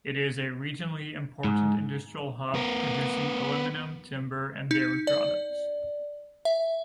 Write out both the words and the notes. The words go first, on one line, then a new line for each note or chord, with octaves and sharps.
It is a regionally important industrial hub, producing aluminium, timber and dairy products.
G#2
B3 A#4
D#4
D5
E5